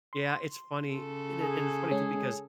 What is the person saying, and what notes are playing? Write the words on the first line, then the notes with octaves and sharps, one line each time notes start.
Yeah, it's funny and i it's funny too because,
C6
C#3 A4
G#4
G#3 C#4